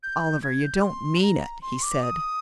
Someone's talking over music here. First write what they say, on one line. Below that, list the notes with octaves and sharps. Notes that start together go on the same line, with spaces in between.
"Oliver, you don't mean it," he said.
G6
G#6
G6
C6
A#5
C6
D6
D#6